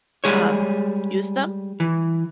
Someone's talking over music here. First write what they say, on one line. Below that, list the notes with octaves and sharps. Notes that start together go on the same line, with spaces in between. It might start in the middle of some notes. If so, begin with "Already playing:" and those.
um, use them-
G3 G#3 G#4 C#5
E3